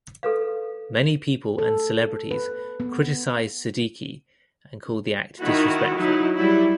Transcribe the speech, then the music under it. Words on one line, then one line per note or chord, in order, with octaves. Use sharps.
Many people and celebrities criticized Siddiqui and called the act disrespectful.
A4 B4 F5
A4
B4
B3
D#3 E4 F#4
F#3 D#4 E4
F#3 G3 E4